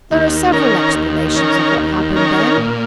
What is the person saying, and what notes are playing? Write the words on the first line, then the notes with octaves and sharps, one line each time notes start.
There are several explanations of what happened then.
D#2
D#3 C#4 A#4
D#2
D#3 C#4 A#4
D#2
D#3 C#4 A#4
A#2